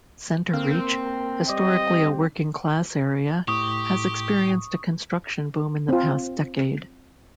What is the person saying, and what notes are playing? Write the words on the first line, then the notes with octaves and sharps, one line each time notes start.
Centereach, historically a working-class area, has experienced a construction boom in the past decade.
A#3 C4 A#4
G3 G4 D#5
A2 G4 C#6 D#6
C4 F4